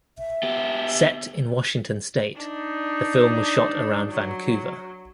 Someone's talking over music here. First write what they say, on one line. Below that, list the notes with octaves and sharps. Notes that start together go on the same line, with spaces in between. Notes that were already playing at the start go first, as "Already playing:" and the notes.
Set in Washington state, the film was shot around Vancouver.
E5
B3 G4
D4 D#4
F#3